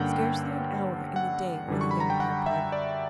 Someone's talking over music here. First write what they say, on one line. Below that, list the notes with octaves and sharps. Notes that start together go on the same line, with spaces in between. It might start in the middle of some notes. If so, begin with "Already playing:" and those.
Scarcely an hour in the day were the young pair parted.
Already playing: G2 D3 A#3 C#4 F#5 G5
F#5
F#2 D3 G3
C#6
B5
A#5
G5
F#5
E5
D5